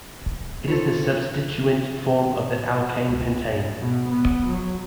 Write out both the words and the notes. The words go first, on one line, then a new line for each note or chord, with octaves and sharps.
It is the substituent form of the alkane pentane.
F4 A4 C5 C#5
C#2
G2
B2
B3
F#3